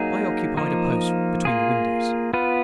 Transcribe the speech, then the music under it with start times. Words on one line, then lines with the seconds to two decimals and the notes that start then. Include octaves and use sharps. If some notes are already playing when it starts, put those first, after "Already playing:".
I occupied a post between the windows.
Already playing: F#3 A#3 D#4 G#4
0.57 F3 A#3 D#4
1.45 A#3 F4 G#4
2.34 B3 F4 B4